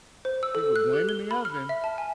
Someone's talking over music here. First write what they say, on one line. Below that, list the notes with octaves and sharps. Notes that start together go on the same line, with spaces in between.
see, we're blaming the oven.
C5
E6
A4
F#6
G4
G7
B5
F6
E5
A5
G#5